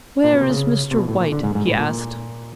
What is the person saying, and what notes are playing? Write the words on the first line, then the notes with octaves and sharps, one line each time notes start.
"Where is Mr. White?" he asked.
A#2
B2
C3
C#3
C3
B2
A2
A#2
D3
G#2
G#2
A2
A#2